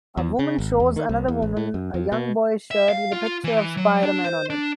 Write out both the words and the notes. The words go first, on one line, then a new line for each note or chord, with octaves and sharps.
A woman shows another woman a young boys shirt with a picture of Spider Man on it.
E2
C#3
G#1
E2
D#3
C2
E2
A1
A2
F#2
F2
B2
E5
F5
F4
E3
F#3
D4
C5
D4